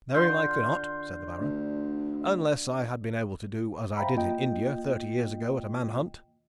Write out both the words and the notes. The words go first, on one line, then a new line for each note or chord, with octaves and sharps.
"Very likely not," said the Baron, "unless I had been able to do as I did in India thirty years ago at a man hunt."
D3 F4 C6 G6
D2
C5 E5 F5 G5 A#5 B5
A#3 F4 D#5 G5